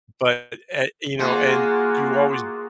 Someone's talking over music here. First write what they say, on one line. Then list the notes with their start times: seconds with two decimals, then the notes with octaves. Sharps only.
but at you know, and you always,
1.19 G#3 A#3 F4 F#4